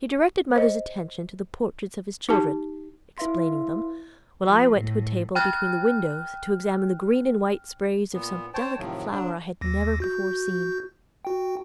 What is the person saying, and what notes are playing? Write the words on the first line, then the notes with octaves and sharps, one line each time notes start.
He directed mother's attention to the portraits of his children, explaining them, while I went to a table between the windows to examine the green and white sprays of some delicate flower I had never before seen.
C5 D#5
D#4 G4 A5
E4 B4 E5 F5 C6
F3
A2
G5 F6 F#6
A#2 B3
C5 C#5 G5 A5
A2 C3 D#3 F3 F#3
D3 F#3 D4
D#2 A#6
F#4 G6
F#4 G5